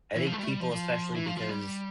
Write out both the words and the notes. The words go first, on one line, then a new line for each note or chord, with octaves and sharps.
I think people, especially because
E3
F3
A3
G3
A3
G3
F3
F3
E3
F3
F3
G3